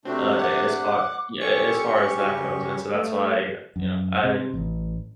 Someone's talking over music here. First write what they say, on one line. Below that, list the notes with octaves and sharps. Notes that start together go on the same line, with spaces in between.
uh, a as far yeah, as far as that goes, and so that's why, you know, I
C3 A3 C4 D4 F#4
F#5 D6
C#4 G4 A4 C#6 C#7
C#3 F#4
A3
F#2
C3
A1